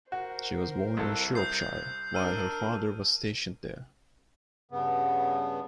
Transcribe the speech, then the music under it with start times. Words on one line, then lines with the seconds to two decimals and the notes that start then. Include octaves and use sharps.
She was born in Shropshire while her father was stationed there.
0.12 F#4 A#4 C5
0.97 C2 A4
1.35 D#6 G6 C7
2.14 D4 A#4 E6 F6 D#7
4.72 G2 C#3 B3